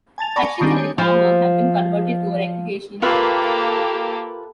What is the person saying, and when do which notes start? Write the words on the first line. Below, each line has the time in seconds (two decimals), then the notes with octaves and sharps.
Sections of the former have been converted to a recreational trail.
0.18 G#5 A5 A6 F7
0.36 D5 G#5 A5 B5 C#6 A#6
0.61 D#3 G3 C4 D4 D#4 G4
0.76 C#5 G#5
0.98 F3 F4
3.02 A#3 F4 G4 A4 B4 E5